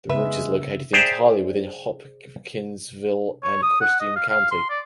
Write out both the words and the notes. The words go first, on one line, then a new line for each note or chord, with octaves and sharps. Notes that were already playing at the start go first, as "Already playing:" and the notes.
The route is located entirely within Hopkinsville and Christian County.
C#3 G#3 B3 B4 E5
G#4 C5 D5 E5 G5 A#5
C#5
D#6
F#5
D#5
F5
F5
C6
D5